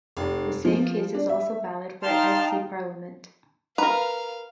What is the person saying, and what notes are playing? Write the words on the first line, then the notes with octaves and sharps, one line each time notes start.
The same case is also valid for SC parliament.
F1
F3
D4
E5
D#4 F5 G5 A5 C6 F6
A#4 B4 F5 A#5